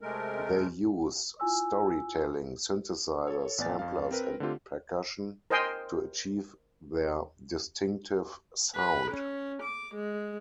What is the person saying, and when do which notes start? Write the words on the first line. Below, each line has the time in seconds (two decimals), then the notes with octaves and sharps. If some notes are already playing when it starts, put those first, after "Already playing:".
They use storytelling, synthesizers, samplers and percussion to achieve their distinctive sound.
0.01 C3 G#3 A3 A#4
1.40 E4 F4 G#5 E6
3.27 A4 C#5
3.58 A1 B3 D5 G#5 A6
3.79 F2 F5
4.11 C4 A#4 B4
4.40 D3 A3 C4 F4 G4
5.50 A#4 C5 D#5 G5 G#5 C6
8.75 B4
9.11 C#4
9.62 D6
9.95 G#3